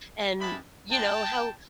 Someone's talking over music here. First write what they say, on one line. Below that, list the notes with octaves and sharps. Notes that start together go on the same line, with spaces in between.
and, you know, how
G#3 B3 E4 G4 A5 B5
B3 D4 F4 G5 A5